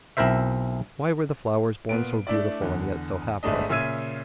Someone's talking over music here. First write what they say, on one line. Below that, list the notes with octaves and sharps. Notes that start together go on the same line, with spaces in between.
Why were the flowers born so beautiful and yet so hapless?
B1 C4 E4 A#4 C5 E5
A#2 B3 D7
A3 D4 E4 D5
E2 D3
G1 G#3 A3 D4 D#5
A#2 C#3 E5 E6 G#6 D#7